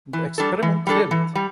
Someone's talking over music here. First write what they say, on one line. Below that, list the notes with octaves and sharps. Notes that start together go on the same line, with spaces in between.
The experiment failed.
E3
G3 D4 A4
E3
G3 D4 A4
E3
G3